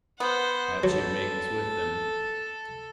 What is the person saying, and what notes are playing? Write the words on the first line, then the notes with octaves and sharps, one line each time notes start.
Now Chiu-Ming was with them.
B3 C5 F#5
F#3 A4